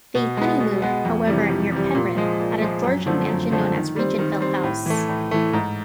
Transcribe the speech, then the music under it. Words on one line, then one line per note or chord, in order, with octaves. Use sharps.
They honeymooned, however, near Penrith, at a Georgian mansion known as Regentville House.
B2
G#3 B3
B2
G#3 B3
F2
C3 E3 G3
F2
C3 E3 G3
A#2
F3 G#3
A#2
F3 G#3
F#2
D3 F3 A3 C4
F#2
D3 F3 A3 C4
D#3
G3 C4
D#3
G3 C4
A2
E3 A3
A2
E3 A3
G#2